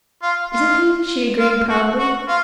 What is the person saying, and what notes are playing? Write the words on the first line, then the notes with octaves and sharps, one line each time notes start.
"Isn't he?" she agreed proudly.
F4
F4
F4
F#4
F#4
F4